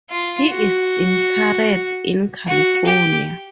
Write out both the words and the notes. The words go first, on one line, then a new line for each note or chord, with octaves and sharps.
He is interred in California.
F4
F#4
F#4
G4